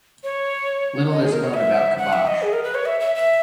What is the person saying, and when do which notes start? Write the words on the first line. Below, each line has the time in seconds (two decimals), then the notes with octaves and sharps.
Little is known about Khabash.
0.24 C#5
1.11 D#5
1.22 G#4
1.32 A#4
1.44 C#5
1.55 E5
1.98 F#5
2.13 E5
2.27 D#5
2.42 G#4
2.53 A#4
2.64 B4
2.75 C#5
2.86 E5
3.00 E5
3.15 E5